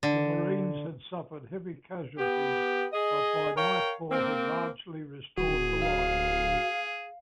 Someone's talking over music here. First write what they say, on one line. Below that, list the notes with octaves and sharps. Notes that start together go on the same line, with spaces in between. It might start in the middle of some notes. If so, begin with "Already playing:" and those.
The Marines had suffered heavy casualties but by nightfall had largely restored the line.
D3
B3 G4
G#4 D#5
A#4 C#5 F5 G5
A#3 C4
D1 F#4 G#4
F5